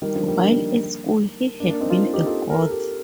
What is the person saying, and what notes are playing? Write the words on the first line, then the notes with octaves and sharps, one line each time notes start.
While at school, he had been a Goth.
D#3 G3
D3 F3
G3 A#3
A#3 D4
A#3 D4
A#3 D4
C4 D#4
D4 F4
D#4 G4
F4 A4
A#4
A4
G4 A#4